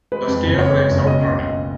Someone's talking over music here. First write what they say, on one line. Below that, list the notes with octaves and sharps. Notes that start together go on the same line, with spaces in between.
The steer breaks out running.
G#3 B4
F2
F#1
F2 C#5
G#3
F#1
B2 D#5
C#2
C#2